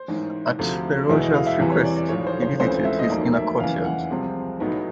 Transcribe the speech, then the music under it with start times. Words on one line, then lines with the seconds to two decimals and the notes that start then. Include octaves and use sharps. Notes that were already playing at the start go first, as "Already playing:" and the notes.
At Ferozshah's request, he visited his inner courtyard.
Already playing: C5
0.08 A1 G#2 D#3
0.59 D2 C3 F3 A3
1.09 E2 B2 G#3 B3 E4 D5
1.22 D#5
1.34 F5
1.47 E5
1.60 E2 C3 E3 G3
1.72 C#5
1.84 D5
1.96 D5
2.09 B1 A2 F3 A3 C#5
2.27 C5
2.42 C5
2.60 C#2 C#3 E3 A3 C4 C5
2.85 E5
2.99 D#5
3.10 F1 D#2 D#3 F#3 A#3 D5
3.35 E5
3.59 F#1 E2 C#3 E3 F5
3.85 F#5
4.11 C2 C3 F3 G#3 C4
4.60 B1 A2 F#3 B3 D#4